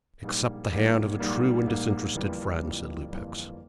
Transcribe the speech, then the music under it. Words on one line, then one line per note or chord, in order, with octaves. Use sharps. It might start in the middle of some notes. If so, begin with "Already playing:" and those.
"Accept the hand of a true and disinterested friend," said Lupex.
A#1 G#2 G3 A#3
A#1 G#2 G3 A#3
A#1 G#2 G3 A#3
A#1 G#2 G3 A#3
G1 F2 E3 G3 A#3
G1 F2 E3 G3 A#3
G1 F2 E3 G3 A#3